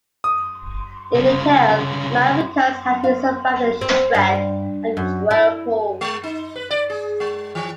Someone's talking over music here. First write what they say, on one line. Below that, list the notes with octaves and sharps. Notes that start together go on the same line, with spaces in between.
In the tale, a man recounts how he survived a shipwreck and a whirlpool.
D#6
C2 C#3
F5
C4
G2
F#2
E4
G#3
D#4
B4
D5
G#4
G#3
E3